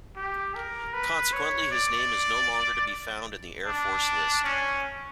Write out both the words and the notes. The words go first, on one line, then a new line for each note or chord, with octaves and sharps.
Consequently, his name is no longer to be found in the Air Force List.
G4
A#4
B4
C#5
D5
D4
C#4